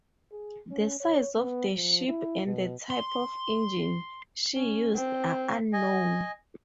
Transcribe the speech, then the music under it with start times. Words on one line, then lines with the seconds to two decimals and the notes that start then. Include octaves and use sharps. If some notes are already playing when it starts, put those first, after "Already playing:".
The size of the ship and the type of engine she used are unknown.
0.32 G#4
0.71 C#4
1.00 C#5
1.37 B3
1.75 F3
2.08 E4
2.46 B2
2.90 C6
4.56 C#4
4.95 C4
5.73 D#5 G#5